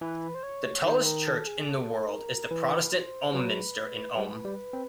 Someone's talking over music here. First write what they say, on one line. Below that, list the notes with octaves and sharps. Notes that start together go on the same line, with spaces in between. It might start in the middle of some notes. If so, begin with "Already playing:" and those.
The tallest church in the world is the Protestant Ulm Minster in Ulm.
E3 B4
C5
C#5
D#3 C5
A#4
A4
G#4
A4
A#4
E3 B4
C5
F#3 B4
G3
G3
C4